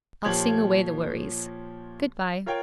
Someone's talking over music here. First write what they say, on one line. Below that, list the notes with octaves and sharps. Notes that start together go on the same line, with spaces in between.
I'll sing away the worries, Good-bye.'
A#2 F3 G4 C#5 G#6 F#7
F4 A#4 C#5 G5